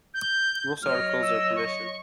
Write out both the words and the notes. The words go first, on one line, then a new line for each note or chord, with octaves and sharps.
Most articles are commissioned.
G6
F#3 C#5 D#5 F6
E6
C#6